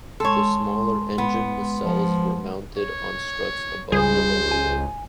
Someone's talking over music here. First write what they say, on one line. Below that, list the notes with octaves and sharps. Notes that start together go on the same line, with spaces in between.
The smaller engine nacelles were mounted on struts above the lower wing.
G#3 A4 C#5 C6
B3
F3
C#5
C#2 G3 G#4 C5
G#5